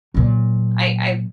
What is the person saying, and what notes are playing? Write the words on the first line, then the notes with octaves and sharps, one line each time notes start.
I I
A#2 F#3